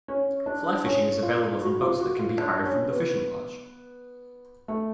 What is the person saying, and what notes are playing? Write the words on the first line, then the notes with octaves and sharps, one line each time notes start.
Fly fishing is available from boats that can be hired from the Fishing Lodge.
C#4
D4
C#4
F4
F#4
F4
F#4
F4
D4
C#4
B3
A3